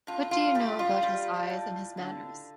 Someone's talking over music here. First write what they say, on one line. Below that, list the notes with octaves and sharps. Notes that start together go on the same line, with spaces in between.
What do you know about his eyes and his manners?
A2 F4
F4
G3 G4
F4
G3
A2
D3